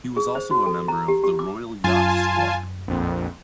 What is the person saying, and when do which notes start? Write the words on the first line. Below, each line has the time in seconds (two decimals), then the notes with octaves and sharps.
He was also a member of The Royal Yacht Squadron.
0.17 G#4
0.35 C5
0.51 F#4
0.66 A4
0.88 A#5
1.08 G4
1.23 G4
1.39 D6
1.84 F#2 F4 G#5 A5
2.88 A#1 F2